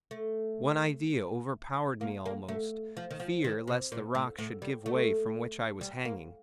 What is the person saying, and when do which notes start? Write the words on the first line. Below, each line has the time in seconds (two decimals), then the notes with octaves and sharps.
One idea overpowered me almost, fear lest the rock should give way from which I was hanging.
0.11 A3
2.01 A#3
2.26 A#3
2.48 A3
2.97 F3
3.11 D#3
3.20 F3
3.44 D#3
3.67 C3
3.92 A#2
4.15 A2
4.38 A2
4.62 G3
4.86 A3
5.81 G3
6.05 A#3